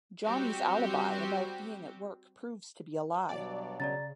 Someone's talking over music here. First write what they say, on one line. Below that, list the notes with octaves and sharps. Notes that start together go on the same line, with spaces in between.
Johnny's alibi about being at work proves to be a lie.
G3 C4 F#4 G4
G2 B2 F#3 D5
C#3 D5 A#5 A6